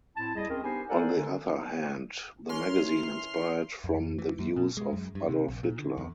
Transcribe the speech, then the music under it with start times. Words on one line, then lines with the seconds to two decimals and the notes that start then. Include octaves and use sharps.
On the other hand, the magazine inspired from the views of Adolf Hitler.
0.15 A2 C4 E4 A5
0.35 D#2 G3 E4 G#4 D#5
0.49 C4 C#4 G#4 A#4
0.63 B3 D4 D#4 G4 C5 G#5
0.87 A4 A#4 C5 D5 F#5 G#5
1.16 D3
2.49 E3 C#4 A#4 C6 F6
3.84 F2
4.18 E3
4.39 F#2
4.56 B2
4.77 G#3
4.93 F#2
5.15 G2
5.29 C3
5.48 A#1
5.63 A#2
5.79 D3
5.98 E2